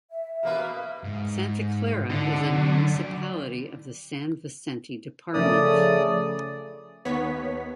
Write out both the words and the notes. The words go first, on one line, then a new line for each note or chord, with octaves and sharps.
Santa Clara is a municipality of the San Vicente Department.
E5
B2 A#3 B4 F5
G#2
D3 D#4 D5
F#3
F#4 D5
C#3 F3 A3 C#4 A#4 D5 D#6
D#2 B3 C#5 B6